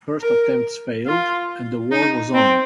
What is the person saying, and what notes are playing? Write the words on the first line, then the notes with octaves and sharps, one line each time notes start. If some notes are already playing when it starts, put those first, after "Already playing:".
First attempts failed and a war was on.
A#4
F4
D#4
C4